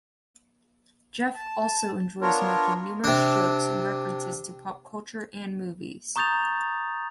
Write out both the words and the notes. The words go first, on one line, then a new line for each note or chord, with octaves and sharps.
Jeff also enjoys making numerous jokes and references to pop culture and movies.
A5
B3 D4 F4 A#4 C#5
C3 D4
A#5 C#6 D#6 G6 A6 F7